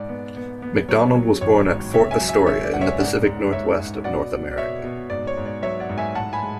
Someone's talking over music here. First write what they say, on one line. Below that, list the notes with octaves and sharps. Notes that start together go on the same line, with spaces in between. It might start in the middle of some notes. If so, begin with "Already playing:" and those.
MacDonald was born at Fort Astoria, in the Pacific Northwest of North America.
Already playing: G#2 D5
B3
B3
B3
F#3 C#5
F#3
A1 C#5
G#2
C#2 C#5 E5
E5 G#5
F#3
E5 G#5
C#2 C#5 E5
D5
C#2 F#5
C#5 E5
G#2 D5 F#5
G#2
G#2 C#5 E5
G#2
B2 D5 F#5
B2
D5
B2 C#5 E5
B2
G#2 D5
C#5
G#2
D5
F#3 C#5 E5
D5 F#5
G#2
E5 G#5
A2 F#5 A5
G#5 B5
G#3